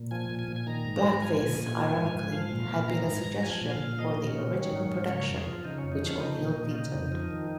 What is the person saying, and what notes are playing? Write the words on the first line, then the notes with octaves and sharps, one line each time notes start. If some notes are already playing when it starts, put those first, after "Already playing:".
Blackface, ironically, had been a suggestion for the original production, which O'Neill vetoed.
Already playing: A#2
F3 G#5
A#2
G#5
A#2
G#5
D#3 A#5
G#2
G#2
F3 G#5
A#2
A#2
F3
G#2
G#2
F3 F5
A#2
A#2
D#3 A#5
G#2
G#2
A#5
F3 G#5
A#2
F5
A#2
F3 D#5
A#2
C#4
A#2
D#3
G#2
G#2
C#3 C#5
F2 A#4
G#4
F3
F4
C#3 D#4
F2 C#4
D#4
F3 C#4
F3 D#4
A#2
A#2
F4
C#3 D#4
F2
F3
D#3